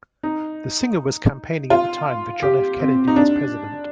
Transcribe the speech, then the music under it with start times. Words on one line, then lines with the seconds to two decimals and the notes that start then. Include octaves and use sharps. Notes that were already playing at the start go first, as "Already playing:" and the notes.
The singer was campaigning at the time for John F. Kennedy as president.
0.23 D#4
1.70 F4
2.43 G4
2.79 C4
3.07 D#4
3.16 D4